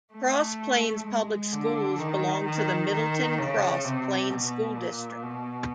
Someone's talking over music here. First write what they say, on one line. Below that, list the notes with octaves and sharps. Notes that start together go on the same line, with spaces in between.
Cross Plains Public Schools belong to the Middleton-Cross Plains School District.
A3
G#3
D3
D#3
D#3
D#3
C#3
C3
B2
A#2
B2